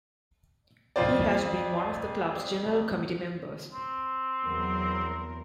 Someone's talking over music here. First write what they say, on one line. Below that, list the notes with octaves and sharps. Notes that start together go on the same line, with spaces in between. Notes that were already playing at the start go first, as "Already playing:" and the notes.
He has been one of the club's general committee members.
F2 F4 C5 D5
C4
E2 F#3 A#4